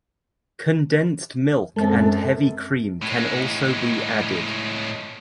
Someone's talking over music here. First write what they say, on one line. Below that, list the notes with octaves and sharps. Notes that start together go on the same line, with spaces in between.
Condensed milk and heavy cream can also be added.
F#2 G#3 C4 A4
A2 G#3